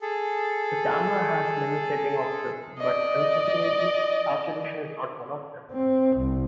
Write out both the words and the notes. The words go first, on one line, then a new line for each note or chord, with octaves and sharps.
The camera has many setting options, but, unfortunately, saturation is not one of them.
G#4 A4
D5 D#5
C4
C2